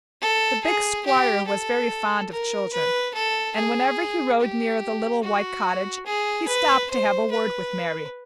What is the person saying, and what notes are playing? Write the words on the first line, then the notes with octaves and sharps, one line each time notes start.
The big Squire was very fond of children, and whenever he rode near the little white cottage he stopped to have a word with Mary.
A4
G#4
G4
A4
A#4
B4
A4
G#4
G4
F#4
G#4
B4
C5
B4